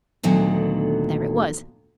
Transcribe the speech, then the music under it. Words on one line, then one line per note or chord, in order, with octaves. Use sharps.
There it was.
D2 A#2 D3 D#3 F#3 B3